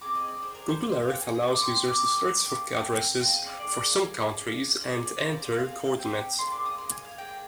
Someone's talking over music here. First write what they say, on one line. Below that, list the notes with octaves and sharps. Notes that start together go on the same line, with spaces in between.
Google Earth allows users to search for addresses for some countries, and enter coordinates.
C4 F4 G#4 D6
D#5
D5
D4 G#4 C5
A#4
C5
D4 G#4 A#4
C5
F5
G5
A#3 F4 G#4 G#5
D#6
D6
C4 G4 C6
C6
D6
C4 D#4 G#4
A#3 D4 G4 D6
C4 G4
C4 F4 G#4 G5
D#5
D5
A#3 D4 G#4 D5
A#3 D#4 G#4
D4 F4 G#4
D4 F4 G#4 C5
D5
C4 F4 G#4 C5
D5
F5
C4 F4 G#4 F5
C4 G4 G5
A#3 D4 G#4 C6
D6
D#6
A#3 F4 G#4 C6
G#5
F5
A#3 D4 G#4 G5